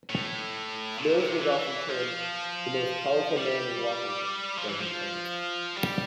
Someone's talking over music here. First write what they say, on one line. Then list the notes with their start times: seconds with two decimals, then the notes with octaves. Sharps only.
Mills was often termed "the most powerful man in Washington" during his tenure.
0.09 A2
0.99 A#2
1.19 C3
1.39 E3
1.59 E3
1.88 F3
3.37 G3
4.57 F3
4.69 E3
4.80 F3
5.76 G3